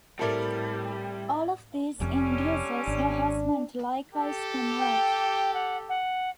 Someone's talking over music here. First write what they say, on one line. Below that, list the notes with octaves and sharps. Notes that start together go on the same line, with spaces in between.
All of this induces her husband to likewise convert.
A2 G3 C4 E4 A4 A#4 D5
F1 F2 D3 G3 C#4
G#1 D4
G4 A4
G5
F#5
F#5